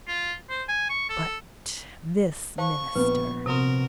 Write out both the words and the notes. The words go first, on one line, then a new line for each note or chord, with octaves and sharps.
But this minister.
F4
C5
G#5
C#6
A4
C5 F5 A5 C#6
A#1 B3 B4
C3 C4 F#4 A#4 D#6